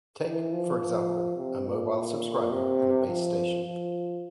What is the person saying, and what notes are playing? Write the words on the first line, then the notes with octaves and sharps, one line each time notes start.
Take, for example, a mobile subscriber and a base station.
E3
F3
F3
C3
A#2
C3
F3
F3